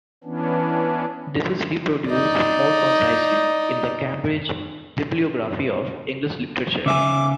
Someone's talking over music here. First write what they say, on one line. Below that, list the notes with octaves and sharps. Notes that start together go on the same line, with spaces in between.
This is reproduced more concisely in the "Cambridge Bibliography of English Literature".
E3 B3 C#4 D4
D#4 D5
C#3 E5 G#5 D6